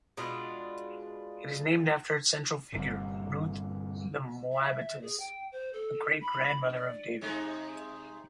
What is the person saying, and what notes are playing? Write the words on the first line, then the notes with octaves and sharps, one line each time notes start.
It is named after its central figure, Ruth the Moabitess, the great-grandmother of David.
B2 G#3 D4 F4
G1 C2 A#2 D3
E5
G#4
G5
C5
A4
B5
D5
C3 G#3 D#4